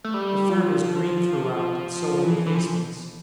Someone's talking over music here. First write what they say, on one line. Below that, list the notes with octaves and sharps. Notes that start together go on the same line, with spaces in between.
The third was green throughout, and so were the casements.
A3
G3
F3
E3
E3
F3